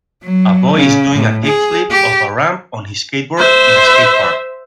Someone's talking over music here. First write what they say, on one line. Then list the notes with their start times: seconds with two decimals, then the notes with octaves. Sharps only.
A boy is doing a kick flip off a ramp on his skateboard in a skate park.
0.23 F#3
0.74 C#3
1.15 A2
1.46 G#4
1.91 G4
3.38 C5 E5